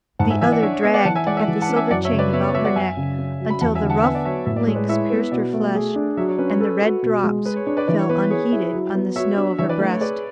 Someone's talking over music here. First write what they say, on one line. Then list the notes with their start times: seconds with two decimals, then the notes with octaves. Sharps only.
The other dragged at the silver chain about her neck until the rough links pierced her flesh, and the red drops fell unheeded on the snow of her breast.
0.19 G#2 F#5 A5
0.30 E5 G#5
0.41 E3 E5 G#5
0.52 D5 F#5
0.62 D4 C#5 E5
0.73 C#5
0.83 B3 C#5 E5
0.94 D5 F#5
1.05 E3 F#5 A5
1.15 E5 G#5
1.27 G#3 D5 F#5
1.37 E5 G#5
1.48 E3
1.62 F#5 A5
1.69 C#4
1.76 E5 G#5
1.90 F#2 D5 F#5
2.04 C#5 E5
2.12 C#3
2.19 B4 D5
2.33 B3 C#5 E5
2.44 C#5
2.54 F#3 C#5 E5
2.65 D5 F#5
2.76 F#2 E5 G#5
2.97 C#3
3.19 C#4
3.40 F#3
3.50 B5
3.61 E2 F#5 A5
3.75 E5 G#5
3.82 D3
3.90 F#5 A5
4.03 B3 E5 G#5
4.15 D5 F#5
4.25 F#3 C#5 E5
4.46 A2 E5
4.56 D5
4.66 G#3 C#5
4.75 B4 D5
4.89 E4 C#5 E5
5.10 B3
5.32 B2 D5 F#5
5.53 A3
5.75 G#4
5.96 D4
6.17 F#3 C#5 E5
6.28 C#5
6.38 C#4 B4
6.49 C#5
6.60 A4 B4
6.82 F#4
7.02 B2
7.23 G#3
7.45 G#4 B4
7.56 C#5
7.67 D4 C#5
7.77 B4 D5
7.88 E3 B4 D5
7.99 C#5
8.09 B3 B4
8.20 B4
8.30 G#4 C#5
8.52 E4
8.73 F#3
8.95 B3
9.16 F#4 C#5 E5
9.37 D4
9.58 E3 C#5 E5
9.69 B4 D5
9.80 A3 B4
9.91 C#5
10.01 G#4 B4 D5